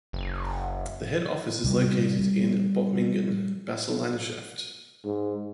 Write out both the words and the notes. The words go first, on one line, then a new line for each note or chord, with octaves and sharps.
The head office is located in Bottmingen, Basel-Landschaft.
F#1
C3 G3
G3
G#2